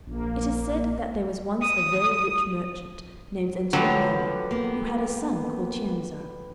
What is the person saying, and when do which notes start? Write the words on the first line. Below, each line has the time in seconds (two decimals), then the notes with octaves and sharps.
It is said that there was once a very rich merchant named Antoniello, who had a son called Cienzo.
0.07 A#1 A#3
1.63 D#6
3.73 D3 F3 F#3 G4 B4 C#5 G5
4.51 A#3 B3